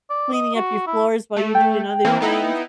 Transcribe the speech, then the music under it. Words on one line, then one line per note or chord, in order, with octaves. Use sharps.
cleaning up your floors while you're doing other things.
D5
D#5
F#4
E4
A3
G5
E3 A#3 C4
B3 D#4 E4